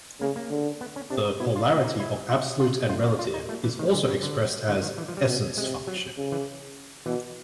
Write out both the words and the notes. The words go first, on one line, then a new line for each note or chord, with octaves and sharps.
The polarity of absolute and relative is also expressed as "essence-function".
C#3 A#3
A#3
D3
B3
C#4
C3 D4
D#4
B2 E4
F4
A#2 E4
D#4
E4
F4
F4
A2 F4
F#4
A#2 F4
D#4
A#2 A3
E3
A2 D#3
D3
C#3
D3
A2 D3
D#3
E3
F3
G3
B2
C3 G#3
F#3
C#3
E3
B2 E3